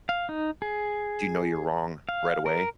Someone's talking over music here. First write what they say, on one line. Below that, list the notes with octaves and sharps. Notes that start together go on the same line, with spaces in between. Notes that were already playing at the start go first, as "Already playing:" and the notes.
do you know you're wrong right away?
F5
D#4
G#4
F5
A#4